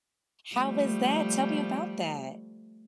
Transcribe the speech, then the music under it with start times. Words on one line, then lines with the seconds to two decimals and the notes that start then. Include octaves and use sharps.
How was that, tell me about that.
0.55 F3 G3 A3